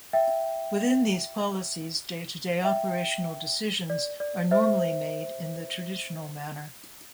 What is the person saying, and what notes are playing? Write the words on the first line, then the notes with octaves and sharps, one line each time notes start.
Within these policies, day-to-day operational decisions are normally made in the traditional manner.
E5 G5
E5 G5
D5
D5
C5 E5